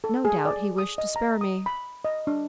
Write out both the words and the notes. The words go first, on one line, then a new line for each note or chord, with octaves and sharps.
"No doubt he wished to spare me."
A4
G#4
D5
D#6
D#5
A#5
D#6
B5
D#5
D4